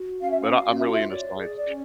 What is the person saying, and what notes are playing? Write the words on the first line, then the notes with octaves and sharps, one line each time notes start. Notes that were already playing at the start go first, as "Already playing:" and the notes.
But I I'm really into science.
Already playing: F#4
C#4 F5
E5
F5
F#4
F4 E5
F5
E5
C#5 D5
G#4 D5
D5
C#4